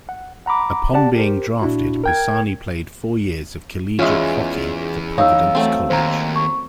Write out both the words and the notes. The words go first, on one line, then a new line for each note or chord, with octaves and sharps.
Upon being drafted, Pisani played four years of collegiate hockey for Providence College.
F#5
F#5 A#5 B5 D6
G4 D5 F#5 A5
G4 A#4 C5
A#2 D4 E4 F#4
A#4 G5 G#6
E2 G#3 C#4 F4 E5
D#4 C#5 F5 E6
F#3 A3 C4
D#2 C5 A#5
C#6